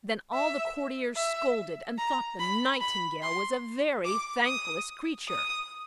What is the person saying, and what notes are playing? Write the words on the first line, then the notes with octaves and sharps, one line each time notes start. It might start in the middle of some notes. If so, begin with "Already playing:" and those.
Then all the courtiers scolded, and thought the Nightingale was a very thankless creature.
E5
E5
A#5
B5
B5
C6
D6
D#6
D#6